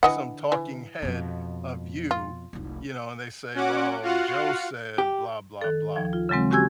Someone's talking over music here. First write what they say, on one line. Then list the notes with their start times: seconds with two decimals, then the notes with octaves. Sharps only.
some talking head of you, you know, and they say, "Well, Joe said, 'Blah, blah, blah.'"
0.03 D3 E3 D#5 F#5
0.52 E3
1.02 F2 B2
2.11 F4
2.53 F1 C2
3.55 C#4 F#4 F#5 D6
4.02 F4 F#4 F5 F#5
4.98 G4
5.61 D#3 A4
5.95 D#2 F3 G#6
6.13 F4
6.29 C#3 E3 F#3 G#3 C4
6.51 C#4 F#4 G4 G#5 E6 G#6